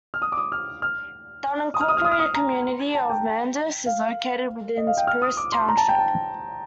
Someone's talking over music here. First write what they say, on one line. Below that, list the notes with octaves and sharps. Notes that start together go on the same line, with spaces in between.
The unincorporated community of Mandus is located within Spruce Township.
F6
D#6
D6
D#6
F6
F6
D#6
F6
D#6
F6
D#6
F6
D#6
A#5
A5
G5
F5
D#5
F5
G5
F6
D#6
D6
C6
A#5
A5
G5
A5